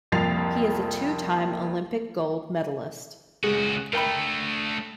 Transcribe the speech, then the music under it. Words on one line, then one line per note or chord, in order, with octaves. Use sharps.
He is a two-time Olympic gold medalist.
C2 F2 A#3 A6 C7 F7
C#2 G#3 F#4
A3 D4 A#4 G5 B5